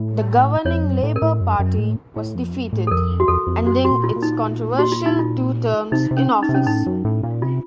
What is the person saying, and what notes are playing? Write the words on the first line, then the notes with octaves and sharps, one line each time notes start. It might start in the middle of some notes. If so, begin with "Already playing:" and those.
The governing Labour Party was defeated, ending its controversial two terms in office.
Already playing: A2
F2 C#5
F#2
A2
A#4
A2
F#2
F#2
A2
A2
F2
F#2
A2
A4
F2 A#4
F#4
F2 A4
F2
F#2 F#4
F#4
A#2
F4
A#2
D#4
F#4
F4
D#4
F4
C3 D#4
C3
C#4
D#4
C3
C#4
A2 D#4
F#2
A2
A#2
C3 F4